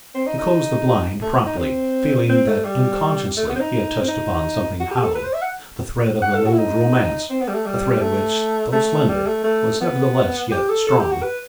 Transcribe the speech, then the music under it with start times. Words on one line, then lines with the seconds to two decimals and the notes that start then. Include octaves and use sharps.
He closed the blind promptly, feeling that unconsciously he had touched upon something hallowed, the thread of an old romance, a thread which, though slender, was nevertheless yet strong.
0.15 C4
0.27 D#4
0.38 D#4
1.22 A3
1.46 D#4
1.58 C4
2.29 C4
2.47 A3
2.65 G3
3.37 A3
3.49 B3
3.55 C4
3.60 D#4
4.01 C4
4.08 D#4
4.80 F#4
4.91 G4
5.03 A4
5.15 B4
5.24 C5
5.33 E5
5.42 F#5
6.22 F#5
6.35 A4
6.46 F#4
6.53 E4
6.58 D#4
7.30 C4
7.41 B3
7.48 G3
7.54 A3
7.66 G3
8.01 A3
8.72 A3
9.09 G3
9.26 A3
9.44 A3
9.80 B3
10.51 G4
10.69 A4
10.87 A4
10.99 G4
11.11 F#4
11.23 B4